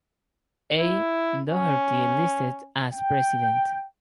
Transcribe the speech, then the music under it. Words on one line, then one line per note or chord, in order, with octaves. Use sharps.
A. Dougherty listed as President.
E4
C#4
G5